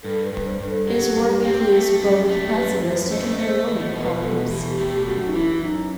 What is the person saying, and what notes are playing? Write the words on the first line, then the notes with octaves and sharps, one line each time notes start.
His work includes both pessimistic and heroic poems.
G2 A4
B4
G2
C5
G2
A4
F#3 G4
G2
C4
A3
F#2
A3
F#2 B4
F#2 C5
A3 D#5
A3 C5
E2
D#5
B2
B4
E2 A4
B2 G4
A4
A3 G4
F#2 F#4
D#4
E3 E4
F#2 D#4